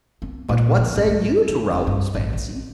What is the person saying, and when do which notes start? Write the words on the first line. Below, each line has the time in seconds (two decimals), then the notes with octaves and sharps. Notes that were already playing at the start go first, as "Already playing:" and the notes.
"But what say you to Raoul's fancy?"
0.22 B3
0.49 A#2
0.78 F3
0.96 A1
1.09 G#2
1.49 D3
1.71 F1
1.87 G2
2.15 A1
2.33 D3